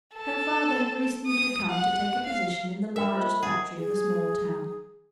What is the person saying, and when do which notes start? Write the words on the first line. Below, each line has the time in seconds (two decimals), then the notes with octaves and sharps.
Her father had recently come to take a position in the largest factory of the small town.
0.14 A4
1.27 D#6
1.69 F#5
2.26 F5
2.96 A#4 E5 G5 B5
3.15 F4 C5 D#5 B5
3.43 G#4 F#5
3.77 G#4